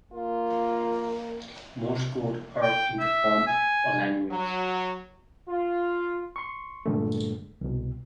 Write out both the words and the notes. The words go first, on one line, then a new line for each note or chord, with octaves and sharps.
Morse Code or in the form of a language.
A#3 F4
G5
E5
G#5
F#3
F4
C6 C#6
G2 A#2 D3 G#3 A3
C2 B2